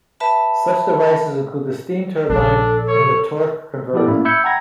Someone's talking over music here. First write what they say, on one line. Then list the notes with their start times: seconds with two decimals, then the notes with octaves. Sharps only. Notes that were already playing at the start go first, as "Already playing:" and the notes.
Such devices include the steam turbine and the torque converter.
0.20 B4 E5 A5 B5
2.29 A#1 F3 D4 A4
2.88 C#5
3.93 F3 B3 E4 G4 A4 D5
4.07 A2 A#3 C#4 E4
4.25 E5 B5 E6 G6 G#6 C#7
4.44 F#5 G5 A#5 B5 G#6 A#6